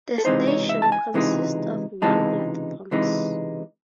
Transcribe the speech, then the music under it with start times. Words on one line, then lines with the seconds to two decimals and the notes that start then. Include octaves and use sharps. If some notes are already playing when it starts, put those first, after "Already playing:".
The station consists of one platforms.
0.18 A4
0.25 C#2 C3 E3 G#3 D#4 C5
0.47 C#5
0.69 E5
0.82 A5
0.92 G#5
1.14 C#2 C3 E3 G#3 D#4
2.02 C#2 C3 E3 G#3 D#4 A5
2.91 C#2 C3 E3 G#3 D#4